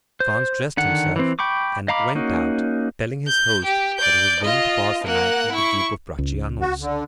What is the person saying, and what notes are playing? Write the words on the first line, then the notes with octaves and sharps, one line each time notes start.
Franz dressed himself, and went out, telling his host that he was going to pass the night at the Duke of Bracciano's.
C5
D3 D#3 F#5
E3 C4
G5 B5 C#6 D6
D#5 F5 A#5 B5 D6
A#3 C#4 D#4 F#4
G6
G4
D5 G6
F4 D#5
A#3 F#5
E4 C#6
C#2
F#4
D3